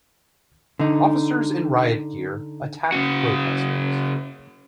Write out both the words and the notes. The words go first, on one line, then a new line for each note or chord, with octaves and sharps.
Officers in riot gear attacked protesters.
D3 D#4
C#3 F#4